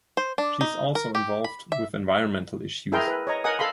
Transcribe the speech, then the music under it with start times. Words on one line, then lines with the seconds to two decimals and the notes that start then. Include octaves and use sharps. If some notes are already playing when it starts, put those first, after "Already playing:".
She is also involved with environmental issues.
0.17 C5
0.38 D4
0.61 D#4
0.95 A#4
1.15 G4
1.44 B5
1.72 E5
2.92 E4 G#4 A#4 E5 G5 C6
3.08 B4
3.27 C#5 D#5 A#5
3.44 A#4 D#5 F#5 G#5 D#6
3.59 A4 F5 B5 C6